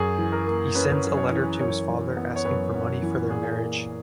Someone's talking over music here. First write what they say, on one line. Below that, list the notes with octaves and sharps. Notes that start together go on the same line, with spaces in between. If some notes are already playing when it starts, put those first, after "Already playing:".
He sends a letter to his father asking for money for their marriage.
Already playing: F#2 G#4
E3
A#4
A#3
C#4 B4
F#2
C#5
E3
F#2 C#5
E3
B3
C#5
F#2 B4
F#2
E3
A#2 G#4
A#3